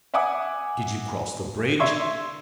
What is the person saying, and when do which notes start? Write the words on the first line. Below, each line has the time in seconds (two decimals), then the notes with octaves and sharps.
"Did you cross the bridge?"
0.14 E5 F#5 G#5 D6 D#6
1.79 E5 C6 C#6 E6 G#6